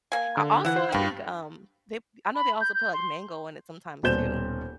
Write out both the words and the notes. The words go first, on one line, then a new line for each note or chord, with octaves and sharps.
I also I think, um, they I know they also put, like, mango in it sometimes too,
A#3 G#5
D3
E3 E4 F#5
C5
G2 E3 A#3 G5
B5
G6
G6
C6
D#1 B2 G3 C5 G6 E7